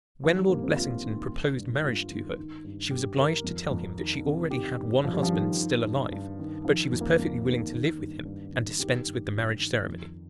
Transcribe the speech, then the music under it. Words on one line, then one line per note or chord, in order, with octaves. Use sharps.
When Lord Blessington proposed marriage to her she was obliged to tell him that she already had one husband still alive, but she was perfectly willing to live with him and dispense with the marriage ceremony.
D#3 F3
G3
G2 A#3
C4
G2 F4
D#3
D#3
G2
G2 F4
D#3
D#3
G2
G2 G4
D#3 A#4
F2
F2
D#3
C3
D#3 G4
G2
G2 F3
G3
F3
D#3
D#3
G2
G2
D#3
D#3 F3
F2
A#3
F2
D#3
D#3
G2
G2
D#3
D#3 G4
G2
G2
D#3
F2